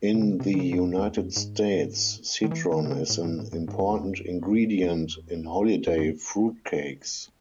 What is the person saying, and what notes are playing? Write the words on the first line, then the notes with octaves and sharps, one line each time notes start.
In the United States, citron is an important ingredient in holiday fruit cakes.
C3
C#3
C3
D#3
C#3
G#2
F#2
E2
F#2
G#2
D#3
E3
D#3
C3
C#3
A2
G#2
A2
F#2
G#2
F#2
E2
F#2
E2
E2
F#2